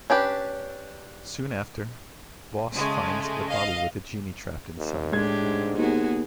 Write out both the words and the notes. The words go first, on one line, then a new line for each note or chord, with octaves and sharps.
Soon after, Bosse finds a bottle with a genie trapped inside.
C#4 D4 G4 B4
C#3 G#3 A3
D#5 F5
D#2
A2 G#3 D4 G4 G#6
G#2
D#2 B3 F#4 G#4